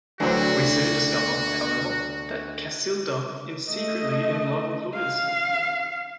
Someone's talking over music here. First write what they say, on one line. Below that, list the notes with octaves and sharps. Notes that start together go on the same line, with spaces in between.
We soon discover, however that Casilda is secretly in love with Luiz.
D2 D3 E3 F#3 C4 D4 F#4
A3 D#5
F5